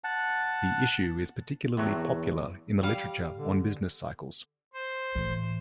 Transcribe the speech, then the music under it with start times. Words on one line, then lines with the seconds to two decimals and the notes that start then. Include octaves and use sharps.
The issue is particularly popular in the literature on business cycles.
0.04 F#5 A5
1.77 E2 A2 C3 F#3
2.83 G3 F5
3.36 D3
4.74 C5
5.15 A2 E3